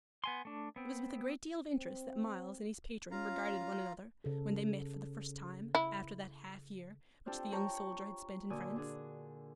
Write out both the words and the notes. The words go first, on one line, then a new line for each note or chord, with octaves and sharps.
It was with a great deal of interest that Myles and his patron regarded one another when they met for the first time after that half-year which the young soldier had spent in France.
B3 G#5 C6
A3 D4
B3 C4
C4
C#4 F4 F5 A#5
C#3 A4
E4
C4 D4 F4 G4 A4
C#5 G5 A5 A#5 C#6
C#6
A#2 D3 F#4 D5 G#5 D#6
D4 G#4